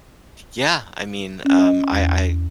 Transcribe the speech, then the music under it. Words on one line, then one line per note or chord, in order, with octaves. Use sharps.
Yeah, I mean, um, I I
C#4
D#5
E2